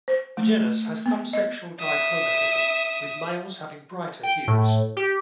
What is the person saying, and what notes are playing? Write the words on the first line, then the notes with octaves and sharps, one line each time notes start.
The genus has some sexual dichromatism, with males having brighter hues.
C5
A3
B3
D#5
E5 D#6
G5
A2
G4